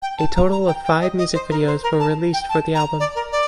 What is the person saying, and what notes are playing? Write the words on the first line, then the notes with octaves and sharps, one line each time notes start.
A total of five music videos were released for the album.
G5
A5
A#5
A#5
G5
G5
D#5
D#5
C5
A#4
C5
A#4
A5
G5
A5
A#5
D5
A#4
D5